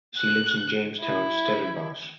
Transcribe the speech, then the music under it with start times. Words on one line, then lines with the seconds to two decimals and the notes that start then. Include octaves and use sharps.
She lives in Jamestown, Stellenbosch.
0.17 F#6
1.01 E4